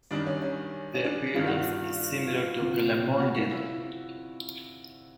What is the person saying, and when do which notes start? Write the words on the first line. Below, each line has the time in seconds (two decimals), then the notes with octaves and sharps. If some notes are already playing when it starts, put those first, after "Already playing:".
The appearance is similar to Calamondin.
0.11 F#2 D#3 G3 D4
0.26 C#4
0.42 C#4
0.94 C#4
1.04 D4
1.34 G2 D#3 G3 F4
1.47 F#4
1.59 F4
2.12 F4
2.27 F4
2.58 D2 C3 F3
3.19 F#4
3.35 F4
3.51 E4